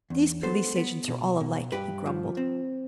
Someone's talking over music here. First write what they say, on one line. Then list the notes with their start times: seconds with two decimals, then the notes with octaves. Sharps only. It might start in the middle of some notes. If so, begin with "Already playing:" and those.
"These police agents are all alike," he grumbled.
0.10 E2
0.43 B3 A4 C5
0.75 B3
1.08 B2
1.40 B2
1.72 G2 G4 B4
2.06 F3
2.37 C4